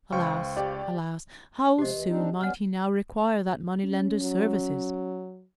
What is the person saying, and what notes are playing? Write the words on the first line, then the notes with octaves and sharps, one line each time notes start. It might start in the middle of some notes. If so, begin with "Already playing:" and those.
Alas! alas! how soon might he now require that money-lender's services!
C#2 C5 F5 G5 C#6
G4 D5
C3 F3 G#3 G4 D#5
D2 E3
C4 D4 D#4
G3 B3 C#4 F#5 F6
C#4
F#3